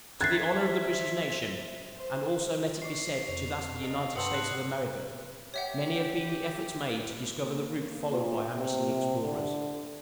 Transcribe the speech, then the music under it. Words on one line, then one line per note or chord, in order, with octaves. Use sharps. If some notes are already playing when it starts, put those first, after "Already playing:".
To the honor of the British nation, and also let it be said to that of the United States of America, many have been the efforts made to discover the route followed by our missing explorers.
C5 E5 F#6 G#6 A6 C7
C5
C#5 D5 C7
F2 F7
A4 D#5
G2 B3 C4 A5 C7 C#7 F#7
G#2 F#6
G4 C#5 E5 F#5
A#3
A#2
C3
D3